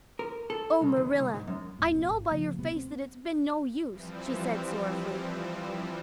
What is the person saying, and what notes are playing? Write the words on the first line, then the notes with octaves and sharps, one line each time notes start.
"Oh, Marilla, I know by your face that it's been no use," she said sorrowfully.
A#4
A4
C2
D#2
C2
G#2
F#2
D#1 A2
A#1 B2
G#1
C#3 F3 A#3
D2 C3 G3 B3
C4
E3 F3 G3 C4